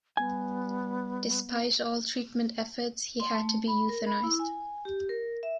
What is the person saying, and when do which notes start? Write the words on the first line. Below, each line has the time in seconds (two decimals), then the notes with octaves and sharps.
Despite all treatment efforts, he had to be euthanized.
0.17 G3 B3 G#5
3.20 C6
3.32 A3
3.68 B5
3.89 A#4
4.07 B5
4.24 E4
4.39 G#5
4.85 G4
5.09 A#4
5.43 E5